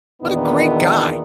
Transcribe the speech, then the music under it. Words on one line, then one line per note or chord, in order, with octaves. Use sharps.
What a great guy.
E2 A#2 D#3 B3 D4 D#4